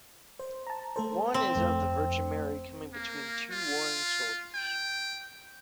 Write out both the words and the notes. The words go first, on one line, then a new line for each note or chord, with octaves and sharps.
One is of the Virgin Mary coming between two warring soldiers.
C5
A5 A#5
A3 A4 C5
C4
G1 F2 A3
A#3
F4
G5